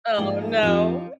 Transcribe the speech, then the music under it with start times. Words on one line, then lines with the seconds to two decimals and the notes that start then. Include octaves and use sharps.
Oh, no.
0.18 G#2 F3 A#3 D#4 G#4
0.63 F2 F3 C4 D#4 G4